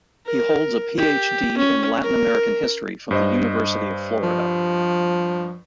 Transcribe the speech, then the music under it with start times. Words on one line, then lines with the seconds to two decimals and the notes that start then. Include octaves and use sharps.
He holds a Ph.D. in Latin American History from the University of Florida.
0.25 A#4
0.98 G4
1.57 C#4
2.03 A#4
3.11 G2 C5 D#5
4.23 F3